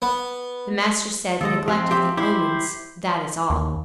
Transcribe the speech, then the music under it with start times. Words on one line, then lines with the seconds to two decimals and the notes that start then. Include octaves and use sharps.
The Master said, Neglect of the omens, that is all.
0.02 B3
1.41 D#2 G#3 A4 D#5
1.68 F3 C4 G4
1.91 G4 E5 C6
2.17 E4 G4 C5
3.50 D#2